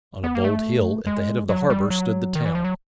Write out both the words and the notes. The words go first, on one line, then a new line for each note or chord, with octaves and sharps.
On a bold hill at the head of the harbour stood the town.
B3
A#3
A3
G#3
F#3
G3
F#3
D#3
E3
F3
F#3